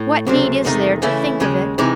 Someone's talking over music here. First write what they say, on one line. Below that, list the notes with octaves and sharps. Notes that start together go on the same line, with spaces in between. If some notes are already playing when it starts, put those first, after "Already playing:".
What need is there to think of it?
Already playing: A2
C#2 C3 F#3 A3 C4
E2 C3 D#3 A3 D#4
C#3 E3 A3 C#4 E4
D#2 C#3 G#3
C3 E3 G#3 D#4